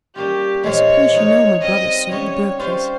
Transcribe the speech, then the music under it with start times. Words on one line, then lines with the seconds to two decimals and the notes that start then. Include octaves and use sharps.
"I suppose you know my brothers, sir, the Berkleys."
0.15 G3 A#3 C#4 F4 G4
0.64 A#2 F3 G#3 C#5
1.13 F3 G#3 D#4
1.61 G3 C4 F4 D#5
2.11 C#3 G3 C#4 F4 C#5
2.59 G3 C#4 F4 C5